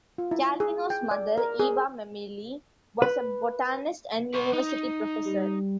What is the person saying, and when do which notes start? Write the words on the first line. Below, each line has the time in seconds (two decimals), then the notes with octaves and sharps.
Calvino's mother, Eva Mameli, was a botanist and university professor.
0.18 F4
0.31 E4
0.60 G#4
0.90 G5
1.11 D5
1.38 A#4
1.59 G#4
3.02 B4
4.34 B4 C#5
4.53 D#4
5.25 G3